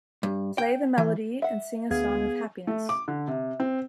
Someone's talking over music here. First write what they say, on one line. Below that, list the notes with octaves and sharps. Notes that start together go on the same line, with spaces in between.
Play the melody and sing a song of happiness.
G2
G5
E3
E5 F#5
D2 B3 G#4 F5 G#6
A3
D6
D3
C3
C4